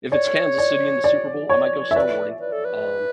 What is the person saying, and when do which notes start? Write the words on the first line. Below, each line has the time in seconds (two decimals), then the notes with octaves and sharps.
if it's Kansas City in the Super Bowl, I might go snowboarding. Um,
0.12 C#5 D5
0.58 D5
1.04 D5
1.49 C#5
1.91 E5
1.96 B4 D5
2.41 B4
2.52 A4
2.65 B4